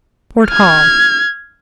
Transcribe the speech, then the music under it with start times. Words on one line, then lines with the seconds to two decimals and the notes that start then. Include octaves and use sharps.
Fort Hall.
0.49 F6 G#6